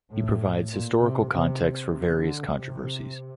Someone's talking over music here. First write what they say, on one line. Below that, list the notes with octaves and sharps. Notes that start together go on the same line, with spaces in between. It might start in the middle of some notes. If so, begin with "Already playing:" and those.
He provides historical context for various controversies.
A2
A#2
C3
C3
C3
D3
C3